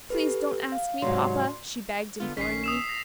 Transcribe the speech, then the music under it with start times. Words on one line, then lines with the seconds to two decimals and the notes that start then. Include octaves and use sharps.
"Please don't ask me, papa," she begged imploringly.
0.10 G4 A4 B4
0.72 F5
1.02 G#2 C3 F#3 D5 C6
2.20 D3 B3 F4
2.37 A#1 D#3 C#4 B6 C7
2.64 D#6 E6 E7
2.89 A#6